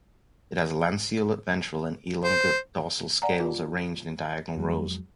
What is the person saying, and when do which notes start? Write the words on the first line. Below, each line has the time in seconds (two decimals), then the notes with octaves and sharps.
It has lanceolate ventral and elongate dorsal scales arranged in diagonal rows.
2.24 C5
3.22 D5 F#5 G#5 A#5
3.40 F4
4.57 F2 F#3 G#3